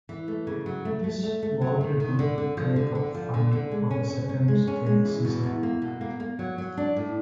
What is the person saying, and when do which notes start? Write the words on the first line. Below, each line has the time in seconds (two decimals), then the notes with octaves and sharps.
This vaulted them to the Grey Cup final for the second straight season.
0.09 E3
0.28 A3
0.47 C#3
0.66 F#3
0.85 A3
1.04 A3
1.24 A3
1.43 A3
1.61 F#3
1.81 D#3
2.00 D#3
2.19 D3
2.38 D3
2.57 F3
2.76 D3
2.95 D3
3.14 F3
3.34 D3
3.52 D3
3.71 G#3
3.91 C#4
4.10 C#4
4.29 C#4
4.48 G#3
4.67 C#4
4.86 G#3
5.05 E3
5.25 B2
5.44 E2
5.63 A#3
5.82 B2
6.01 A#3
6.20 A#3
6.39 F#3
6.58 F#3
6.77 D4
6.97 A2